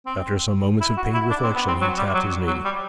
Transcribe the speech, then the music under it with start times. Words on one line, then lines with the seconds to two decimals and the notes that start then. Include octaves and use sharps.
After some moments of pained reflection he tapped his knee.
0.06 C4
0.80 E4
0.97 F#4
1.14 E4
1.30 D4
1.43 C4
1.55 B3
1.67 C4
1.81 F#3
1.98 G3
2.14 F#3
2.47 F#3
2.64 G3